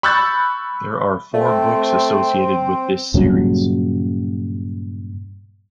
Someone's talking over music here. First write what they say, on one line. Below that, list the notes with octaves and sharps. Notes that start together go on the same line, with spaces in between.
There are four books associated with the series.
B5 C#6 E6 F#6 G6 A6
A3 C4
G2 A#2 C#3 F#3